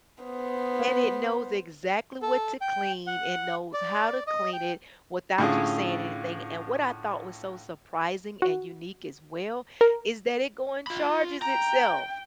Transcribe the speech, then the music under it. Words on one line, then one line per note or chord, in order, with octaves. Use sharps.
And it knows exactly what to clean, it knows how to clean it without you saying anything and what I thought was so surprising and unique as well, is that it go and charges itself.
B3 C5
A4
G5
F#5
D5
D#5
G5
A2 D3 C#4 F4 G#4
F#4
A#4
F4 B5
G5 A#5